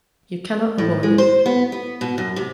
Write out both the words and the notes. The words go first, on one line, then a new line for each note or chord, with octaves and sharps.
You cannot avoid it.
A2
G#3
C5
B3
B3
B2
F#2
C3